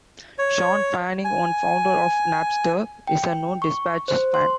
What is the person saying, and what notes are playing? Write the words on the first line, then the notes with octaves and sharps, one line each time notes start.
Shawn Fanning, one founder of Napster, is a known Dispatch fan.
C#5
G#5
G5
C#6
C5
C6